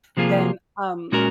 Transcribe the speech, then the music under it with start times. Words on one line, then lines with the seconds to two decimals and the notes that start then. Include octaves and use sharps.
then, um,
0.17 C3 F3 A#3 F4 G#4
1.12 A#2 G#3 C#4 F#4 A#4